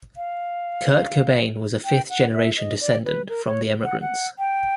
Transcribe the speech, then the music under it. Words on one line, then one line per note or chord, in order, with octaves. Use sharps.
Kurt Cobain was a fifth generation descendent from the emigrants.
F5
G5
F#5
E5
D#5
D5
B4
A#4
C#5
F#5
F#5
G5